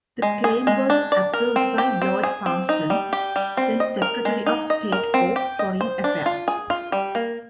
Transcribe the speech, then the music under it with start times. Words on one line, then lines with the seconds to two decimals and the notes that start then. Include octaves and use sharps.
The claim was approved by Lord Palmerston, then Secretary of State for Foreign Affairs.
0.22 G#3
0.44 G#4
0.67 G#3
0.90 D4
1.12 D5
1.34 A#4
1.56 C4
1.78 G4
2.02 C4
2.23 G#4
2.46 C4
2.69 D#4
2.90 G3
3.13 G4
3.36 G3
3.57 C4
3.80 D#5
4.02 A#4
4.25 G#3
4.46 D#4
4.70 D#5
4.92 A#4
5.14 C4
5.36 G4
5.59 D#5
5.81 C5
6.04 D4
6.26 F4
6.48 G#4
6.70 F4
6.92 G3
7.15 A#3